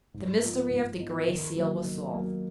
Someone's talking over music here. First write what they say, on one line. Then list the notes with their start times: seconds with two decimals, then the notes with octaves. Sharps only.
The mystery of the Gray Seal was solved!
0.14 G#2
0.42 F3 B3 D#4
0.71 G#2
0.99 F3 B3 D#4
1.28 D#3
1.56 F#3 A#3
1.85 D#3
2.14 F#3 A#3